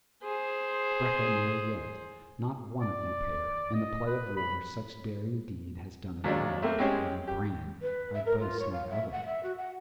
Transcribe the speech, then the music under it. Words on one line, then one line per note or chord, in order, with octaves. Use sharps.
Breca ne'er yet, not one of you pair, in the play of war such daring deed has done at all with bloody brand, -- I boast not of it!
G#4 C5
D5
D#5
B4
B5
D#2 F#3 G#3 D4
A3 A#3 C4
G#3 C4 C#4 G4 G#4
G4
B4
E5
A#4
F4
C#5
F5
E5
F#5
E5
F#4
F#5